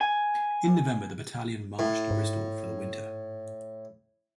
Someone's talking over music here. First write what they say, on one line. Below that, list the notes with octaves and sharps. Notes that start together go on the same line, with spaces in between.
In November the battalion marched to Bristol for the winter.
G#5
A2
G#2